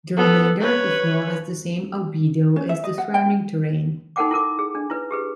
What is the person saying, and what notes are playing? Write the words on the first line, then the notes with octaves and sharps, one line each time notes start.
The remainder of the floor has the same albedo as the surrounding terrain.
B3 A4
B4 C#5
C#4
E5
D#5
F#5
G5
D#4 A4 A#4 F#5 G5 D6
E4 A4 A#4 D6
G#4
D4
E4 B4
G4 G#4 B4